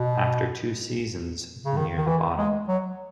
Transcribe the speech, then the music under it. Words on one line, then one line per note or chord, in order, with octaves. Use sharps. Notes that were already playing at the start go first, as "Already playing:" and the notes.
After two seasons near the bottom.
Already playing: B2
C#3
D#3
D#3
E3
G#3
F#3